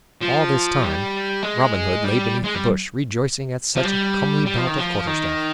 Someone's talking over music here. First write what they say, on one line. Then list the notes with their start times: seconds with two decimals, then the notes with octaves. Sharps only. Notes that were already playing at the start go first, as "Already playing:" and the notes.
All this time Robin Hood lay beneath the bush, rejoicing at such a comely bout of quarterstaff.
0.21 F3
0.83 G3
1.42 G#3
2.04 G3
2.44 G#3
2.55 G3
3.76 F3
3.85 G3
4.46 G3
4.57 F3
4.66 D#3
4.78 F3
5.07 D#3